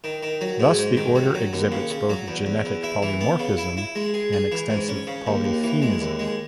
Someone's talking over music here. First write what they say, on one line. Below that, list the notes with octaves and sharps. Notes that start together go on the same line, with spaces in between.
Thus the order exhibits both genetic polymorphism and extensive polyphenism.
D#3
D#3
F#3
G#2
G#2
D#3
F#3
F#3
D#2
C#3
C#3
F#3
E2
E2
E2
E4
E3
B3
C#3
E4
E4
G#3
G#4
G#4
E3
G#2
C#4
C#3
D#2
D#2
E3
G#3
D#2
G#3